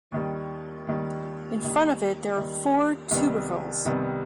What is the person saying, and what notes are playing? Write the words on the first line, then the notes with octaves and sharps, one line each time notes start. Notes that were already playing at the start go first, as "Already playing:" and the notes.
In front of it there are four tubercles.
D#2 D#3 G3
D#2 D#3 G3
D#2 D#3 G3
D#2 D#3 G3
C2 C3 D#3 G3 B3
C2 C3 D#3 G3 B3